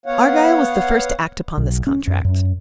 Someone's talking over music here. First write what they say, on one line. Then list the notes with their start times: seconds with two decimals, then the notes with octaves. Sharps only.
Argyle was the first to act upon this contract.
0.06 B3 C#5 F5 F#5
1.58 B1
1.87 C#4
2.07 F#2
2.25 F#2